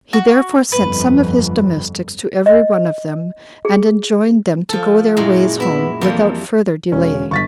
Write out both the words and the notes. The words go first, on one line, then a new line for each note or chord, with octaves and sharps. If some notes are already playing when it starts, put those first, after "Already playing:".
He therefore sent some of his domestics to every one of them, and enjoined them to go their ways home without further delay.
F#4
G1 F2 B4
D#5
G#4
F3 A4
F#2 A#2 G#3 E4
B3 E4 E5
F2 E3 G3 A#3
E1 C#4
G1 C#6 A6 B6